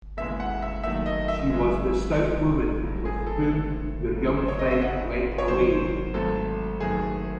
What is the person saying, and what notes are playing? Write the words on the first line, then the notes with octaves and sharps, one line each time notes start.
She was the stout woman with whom your young friend went away?
E1 D#2 C#3 E3 G#3 E5
F#5
E5
D#2 D#3 F#3 A3 E5
D#5
E5
F#2 C#3 E3 G#3
E2 C3 E3 G#3
C#2 C3 F#3 A3
G#4
A4
C#2 C3 D#3 A3 A4
C#2 C3 F#3 A3
C5
C#5
D#5
E5
F#1 E2 C#3 F#5
C#5
E2 C3 D#3 F#3 C5
G#1 G#2 F#3 A3 A4
F#1 F#2 D#3 A3 G#4